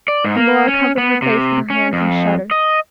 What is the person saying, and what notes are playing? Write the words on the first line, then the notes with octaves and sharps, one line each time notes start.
And Lora covered her face with her hands and shuddered.
D5
G#2
A#3
C#4
B3
C3
C#4
F2
D#5